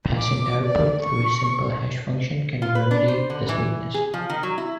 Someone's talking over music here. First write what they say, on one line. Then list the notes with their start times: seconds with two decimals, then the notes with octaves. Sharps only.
Passing the output through a simple hash function can remedy this weakness.
0.19 D6
0.62 D5
1.02 C#6
2.62 F4
2.75 B4
2.91 D4
3.08 C5
3.30 D3
3.49 E3
3.94 G#4
4.14 F3
4.30 D#3
4.43 F#3
4.58 E4